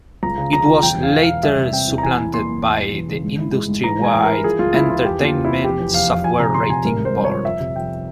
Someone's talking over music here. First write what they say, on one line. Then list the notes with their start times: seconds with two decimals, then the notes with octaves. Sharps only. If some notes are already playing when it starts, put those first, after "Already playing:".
It was later supplanted by the industry-wide Entertainment Software Rating Board.
0.23 C#2 A#5
0.38 C#3
0.53 F3 A#5
0.68 F3
0.83 E1 G5
0.98 E2
1.03 F5
1.13 E1
1.23 F5
1.28 E2
1.43 G3 E5
1.58 C3
1.73 C4 G5
1.88 E2
1.98 A#5
2.03 E3 G#5
2.18 E4
2.33 A#3 C6
2.48 A#3
2.63 E2
2.79 E1
2.94 E2
3.09 C#3
3.24 G#2
3.39 E4
3.54 G#3
3.68 G#2
3.84 E3 A#5
3.99 G#3 G#5
4.14 E3
4.24 A#4
4.29 E4
4.44 F3 G#4
4.59 C#2 F4
4.74 C#2 E4
4.89 F3 F4
5.04 E2 G4
5.20 A#3 F4
5.34 E2
5.45 E3 E4
5.64 F1 G4
5.79 E2
5.94 F1 F5
6.10 F1
6.24 F3 G#5
6.40 C3 A#5
6.54 C3 C6
6.70 C3 G#5
6.85 G#1 A#4
7.00 G#3
7.05 C5
7.15 G2
7.25 C#5
7.30 F3
7.45 F2 E5
7.60 C3
7.75 F2 G5